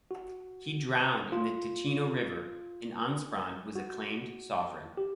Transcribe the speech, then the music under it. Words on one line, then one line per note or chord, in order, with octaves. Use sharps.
He drowned in the Ticino River and Ansprand was acclaimed sovereign.
F#4
F4
F#4
G4